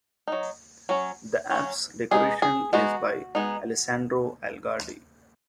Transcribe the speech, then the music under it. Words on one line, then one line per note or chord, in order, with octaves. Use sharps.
The apse decoration is by Alessandro Algardi.
F#3 D#4
F#3 C#4
F#3 C#4
G#3 B3 D#4 G#4
G#4
G#3 B3 D#4 F#4
G#3 B3 D#4